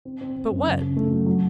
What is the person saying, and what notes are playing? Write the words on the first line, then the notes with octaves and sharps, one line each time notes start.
"But what?"
C4
C4
C4
F#2
C#3
C#3
A3
F#3
F#3